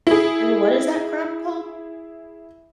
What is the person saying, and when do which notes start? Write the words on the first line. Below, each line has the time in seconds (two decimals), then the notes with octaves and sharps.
And what is that crop called?
0.07 E4 G#4